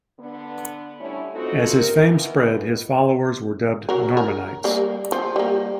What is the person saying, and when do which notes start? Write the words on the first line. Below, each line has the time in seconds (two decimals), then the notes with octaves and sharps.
As his fame spread, his followers were dubbed Normanites.
0.19 D3 B3 D4
0.99 D3 G3 A3 C#4 E4 C#5
1.34 C4 D#4 F4 F#4 A4
1.76 A#4
2.07 B2 D#3 E3 B3
3.89 F#3 A#4
4.17 A#4
4.64 G3 A#3
5.12 F3
5.36 G3 A#3